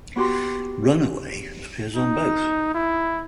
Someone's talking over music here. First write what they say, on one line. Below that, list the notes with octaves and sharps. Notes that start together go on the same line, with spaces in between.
"Runaway" appears on both.
B3 F#4 G4 C6
D#4
E4